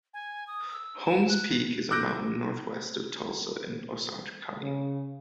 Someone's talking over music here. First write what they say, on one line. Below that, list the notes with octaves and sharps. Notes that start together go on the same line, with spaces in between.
Holmes Peak is a mountain northwest of Tulsa in Osage County.
G#5
D#6
E6
E7
F#6
D6 E6 F#6 G6 A#6 D7
C#3